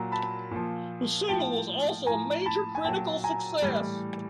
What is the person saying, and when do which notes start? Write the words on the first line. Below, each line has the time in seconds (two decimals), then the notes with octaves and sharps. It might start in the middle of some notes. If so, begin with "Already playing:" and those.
The single was also a major critical success.
Already playing: A#2 F#3 A#5
0.12 A5 B5
0.51 A#2 F3
1.29 A2 F3 G5 A5
2.06 A2 F3 G#5 A#5
2.46 A5 B5
2.75 G#5
2.84 A#2 F#3 G5 A5
3.24 G#5 A#5
3.62 A2 E3 G3